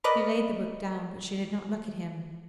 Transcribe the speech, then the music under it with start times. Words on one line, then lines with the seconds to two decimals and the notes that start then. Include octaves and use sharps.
She laid the book down, but she did not look at him.
0.04 A#4 B4 D5 D#5